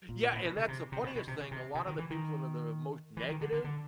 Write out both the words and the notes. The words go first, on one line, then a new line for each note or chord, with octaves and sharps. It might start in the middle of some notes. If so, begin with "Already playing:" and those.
Yeah, and that's the funniest thing, a lot of the people that are the most negative,
A#2
A2
B2
C#3
C3
C3
B2
B2
C3
C#3
C3
C3
D#3
E3
D#3
E3
D#3
D3
D3
D3